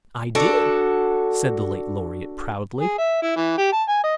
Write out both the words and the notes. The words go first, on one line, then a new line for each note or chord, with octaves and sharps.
"I did," said the late laureate, proudly.
D4 F#4 A4
G#4
E5
E4
E3
G4
A5
G#5
D#5